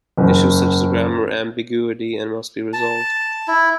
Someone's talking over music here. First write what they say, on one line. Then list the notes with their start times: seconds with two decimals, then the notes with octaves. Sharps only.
Issues such as grammar ambiguity must be resolved.
0.17 F#1 E2
2.73 A5
3.48 E4